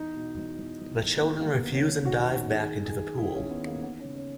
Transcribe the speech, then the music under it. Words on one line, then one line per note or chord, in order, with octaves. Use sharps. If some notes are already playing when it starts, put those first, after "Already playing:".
The children refuse and dive back in to the pool.
Already playing: E2 D#4
B2
E2
E2
E2
E2
A#3
D#3 B3
A#3
D#2
B3
D#3
C#4
D#2
F#4
D#3
F#4
D#3
D#3 G#4
D#3
G#4
D#3
D#3 E4
C#4
D#2
B3
D#3
A#3
E3 B3
C#4
C#3
C#4